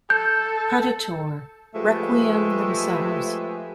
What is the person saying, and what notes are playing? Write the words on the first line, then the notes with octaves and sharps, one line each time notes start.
Predator: Requiem themselves.
A4 G6
F3 G#3 A3 G4 B4